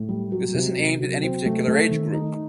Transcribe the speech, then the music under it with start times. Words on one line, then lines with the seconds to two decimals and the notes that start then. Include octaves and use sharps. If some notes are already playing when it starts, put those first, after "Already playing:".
This isn’t aimed at any particular age group.
Already playing: A2
0.09 G3
0.32 F#3
0.54 C3
0.77 C3
1.00 F#3
1.23 C4
1.46 A3
1.68 A3
1.91 D#3
2.13 D#4